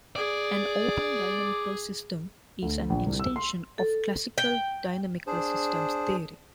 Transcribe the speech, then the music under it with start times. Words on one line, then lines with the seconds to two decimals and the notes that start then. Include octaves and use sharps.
An "open dynamical system" is an extension of classical dynamical systems theory.
0.16 G#4 D5
2.62 D2
2.90 A#1
3.07 C2
3.20 E6
3.36 C6
3.78 A4
4.38 G5
5.27 D4 G#4 C5